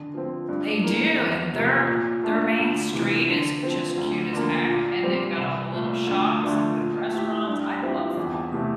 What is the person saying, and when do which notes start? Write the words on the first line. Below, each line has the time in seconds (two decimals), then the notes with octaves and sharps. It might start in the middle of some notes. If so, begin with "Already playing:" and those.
They do, and their their main street is just cute as heck, and they've got all the little shops and good restaurants. I love Fallbrook.
Already playing: D3
0.14 F3 C4
0.49 G2
0.84 E3 A#3
1.18 E2
1.53 C3 F3 A#3
1.88 A#2
2.23 A3 D4 F4
2.58 D2
2.93 C3 E3
3.28 D3
3.63 F3 C4
3.97 D2
4.33 D3 F3 A#3
4.68 A#2
5.03 G3 C4
5.37 C2
5.72 A#2 A3
6.07 D2
6.43 D3 F3 A3 D4
6.77 A#2
7.12 A3 E4 G4
7.47 G2
7.82 F3 C4 E4 G4
8.17 E2
8.52 C3 E3 A3